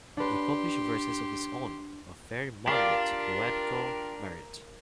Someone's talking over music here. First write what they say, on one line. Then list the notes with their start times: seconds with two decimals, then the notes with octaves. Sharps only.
He published verses of his own of very moderate poetical merit.
0.17 D4 G4 B4 C6
2.68 D4 F4 G4 A#4 D5 F5
3.06 A#4